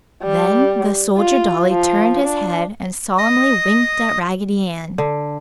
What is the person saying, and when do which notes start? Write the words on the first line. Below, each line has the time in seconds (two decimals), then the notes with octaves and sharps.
Then the soldier dolly turned his head and solemnly winked at Raggedy Ann.
0.23 G3
1.17 F4
1.70 F3
2.24 D4
3.18 D#5 D#6
4.98 D3